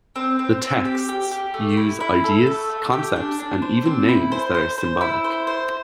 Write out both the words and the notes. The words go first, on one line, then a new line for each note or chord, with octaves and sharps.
The texts use ideas, concepts and even names that are symbolic.
C4
C4
C4
G4
G4
G4
A3
E4
E4
A4
A3
A3
G4
D4
D4
C5
C4
E4
C5
C5
C5
E4
C5
C5